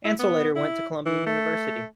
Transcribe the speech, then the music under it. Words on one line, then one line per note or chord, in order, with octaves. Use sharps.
Ansel later went to Columbia University.
E4
B3
E4
E3
A3